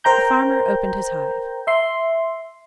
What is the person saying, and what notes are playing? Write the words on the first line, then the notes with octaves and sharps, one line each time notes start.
The farmer opened his hive.
A#4 C5 G5 A#5 G6
E5 C6